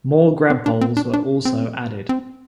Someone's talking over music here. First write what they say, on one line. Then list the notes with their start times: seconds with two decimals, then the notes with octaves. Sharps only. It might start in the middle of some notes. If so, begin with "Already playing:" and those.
More grabpoles were also added.
0.50 C4
0.66 D4
0.81 C4
0.97 D4
1.13 D4
1.45 C4
2.09 C4